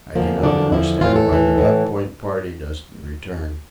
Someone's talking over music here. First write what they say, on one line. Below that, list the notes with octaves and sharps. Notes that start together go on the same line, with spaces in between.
I cannot understand why the Hut Point party doesn't return.
E2 D3 F3 A#3
E2 D3 F3 D4
E2 D3 F3 E4
A2 E3 F4
A4
A2 E3
A2 E3